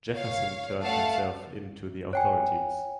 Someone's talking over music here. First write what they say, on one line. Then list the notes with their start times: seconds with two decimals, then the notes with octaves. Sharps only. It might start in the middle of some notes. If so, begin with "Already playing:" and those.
Jefferson turned himself in to the authorities.
0.16 C#5 F5
0.83 A3 F5 F#5 A5
2.13 C#5 G5 G#5